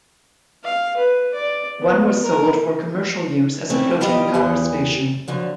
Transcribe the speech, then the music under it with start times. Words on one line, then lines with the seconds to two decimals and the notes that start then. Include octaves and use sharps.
One was sold for commercial use as a floating power station.
0.64 F5
0.97 B4
1.34 D5
1.79 B3
2.23 A#4
3.69 A3 C4 C#4 E4 A4
4.01 G3 B3 F4 G4 D#5
4.34 E2 E3 G4 G#4
5.28 D3 F3 F#3